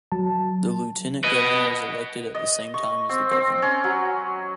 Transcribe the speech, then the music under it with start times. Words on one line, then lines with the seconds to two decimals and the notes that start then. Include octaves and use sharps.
The lieutenant governor is elected at the same time as the governor.
0.12 F#3 A5
1.24 B4 D#5
2.35 D#5
2.74 C#6
3.09 C4
3.31 C4
3.62 C#4
3.84 F#3